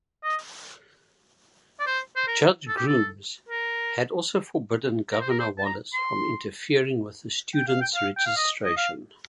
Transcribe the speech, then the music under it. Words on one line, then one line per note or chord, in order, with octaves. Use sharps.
Judge Grooms had also forbidden Governor Wallace from interfering with the students' registration.
D#5
D5
C5
C5
A#4
A4
G4
A4
A#4
A#4
C5
A#4
C5
A5
A#5
C6
G5
F5
G5
F5
G5
F5
D#5
D#5
F5